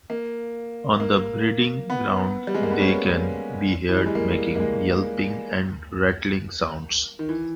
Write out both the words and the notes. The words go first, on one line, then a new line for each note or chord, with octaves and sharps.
On the breeding grounds they can be heard making yelping and rattling sounds.
A#3
A#3
B3
G3
G#3
A#3
B3
C#4
E3
G3
G#3
A#3
A#3
G#3
D#3
E3